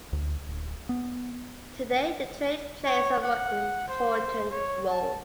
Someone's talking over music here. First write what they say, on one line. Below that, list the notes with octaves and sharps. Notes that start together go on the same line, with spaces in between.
Today the trade plays a more important role.
D2
D1
B3
C#5
F#5
C5
C#5
A5